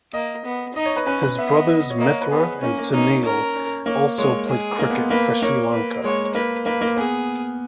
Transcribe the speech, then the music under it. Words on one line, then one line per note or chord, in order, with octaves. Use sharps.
His brothers Mithra and Sunil also played cricket for Sri Lanka.
A#3 D#5
B3
D#4 D#5
C#5
B4
C#4 B4
B4
B3 E5
D#5
D#5
C#5
A#3 D#5
C#5
B4
B3 G#4
A#3 C#4
A#3
C#4 D#4
C#4 A#4
C#4
A#3 C#5
G#3 C#5
G#4
A#3
B3
A#3 B4
A#3 C#5
B4
G#3 C#5
A#3 B4
A#3 B4
A#3
B3 G#4